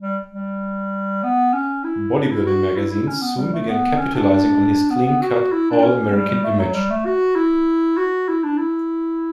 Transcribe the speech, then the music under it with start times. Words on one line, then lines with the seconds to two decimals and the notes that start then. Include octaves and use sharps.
Bodybuilding magazines soon began capitalizing on his clean-cut, all-American image.
0.01 G3
0.31 G3
1.23 B3
1.54 C#4
1.84 E4
2.16 D4
2.31 E4
2.46 F#4
2.77 E4
2.91 E4
3.07 C#4
3.22 B3
3.37 G3
3.53 A3
3.68 B3
3.98 C#4
4.15 D4
4.90 B3
5.06 B3
5.22 F#4
5.52 E4
5.71 D4
5.82 C#4
6.13 G3
6.29 G3
6.44 A3
6.59 F#3
6.75 G3
6.90 A3
7.06 F#4
7.35 E4
7.98 F#4
8.28 E4
8.44 D4
8.58 E4